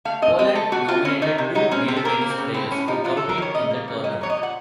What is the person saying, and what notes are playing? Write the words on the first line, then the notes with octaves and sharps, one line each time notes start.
Poland nominated two male tennis players to compete in the tournament.
A3 F5
C4 D#5
C4 D#5
A3 A4
A3 F#4
C4 F4
C4 C#4
D#3 D#4
C3
F#3 D#4
C4 C#4
C3 C4
A4
A#3 A#4
A#3
C4
C#3
A2 C4
A2 C#4
F3 D#4
F#3 F4
A4
F#3
A#4
D#3 C#5
C#3 D#5
A#3
C#3
A#2 D#5
F#3 C#5
D#5
A#2
F#5